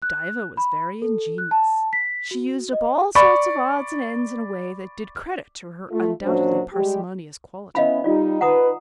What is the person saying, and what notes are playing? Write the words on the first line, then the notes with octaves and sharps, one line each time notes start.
Diva was very ingenious: she used up all sorts of odds and ends in a way that did credit to her undoubtedly parsimonious qualities.
F#6
B5
A4
F#6
A5
B6
F#4
D#5
D5 B5 C#6
A3 F4
F#2 A#2 F#3 D4 C5
G3 G#3 G4
B3 C#4 E4 D#5 F5 B5
G3 D#4 F4 D5
D#4 B4 F#5 A#5 D#6